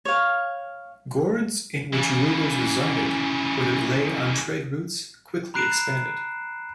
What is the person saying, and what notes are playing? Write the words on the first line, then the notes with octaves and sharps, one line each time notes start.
Gords in which rulers resided or that lay on trade routes quickly expanded.
C#5 F5
C#3 E3
A#5 B5 F#6 C7 D7 E7